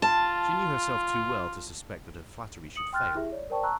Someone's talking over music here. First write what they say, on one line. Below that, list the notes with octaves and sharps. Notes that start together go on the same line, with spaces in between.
She knew herself too well to suspect that her flattery should fail.
F4 A5
D#6 C#7 F#7
G5 C6 F6 F#6 A6
E4 G4 G#4 E5
C#5 D5
A#4 C5 D5 G5 A5 C#6
A5 A#5 C#6 E6 F#6